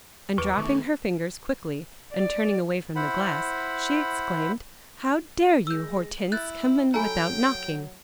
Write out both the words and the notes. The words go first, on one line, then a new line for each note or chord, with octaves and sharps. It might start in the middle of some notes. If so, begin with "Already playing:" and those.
And dropping her fingers quickly and turning away from the glass, she exclaimed, "How dare you, Hortense, come in without knocking?"
E2 B4 C#6 D6
D#3 A3 B3
D5
E4 C5 F#5 B5
G#3 E6 G6
E4 F#6 G6 A6
F#3 A4 G5 G#5 A#5 B5